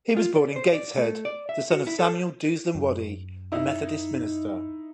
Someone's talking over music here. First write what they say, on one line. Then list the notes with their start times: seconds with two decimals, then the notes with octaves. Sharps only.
He was born in Gateshead, the son of Samuel Dousland Waddy, a Methodist minister.
0.17 F4
0.35 D5
0.56 C5
0.73 D5
0.97 A3
1.25 D5
1.49 E5
1.71 F#4
1.87 E4
1.99 A4
2.75 F#2
3.52 D#4 E4